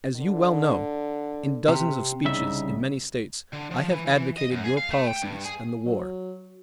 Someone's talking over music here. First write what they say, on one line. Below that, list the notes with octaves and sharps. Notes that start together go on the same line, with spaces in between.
As you well know, in dozens of speeches in many states I have advocated your policies and the war.
D3
C3
C2 C#3 D#4 E5
D3
F3
E3
E3
D#5
F#2
G#4
F5
A3
G5
G2
G#4
F#3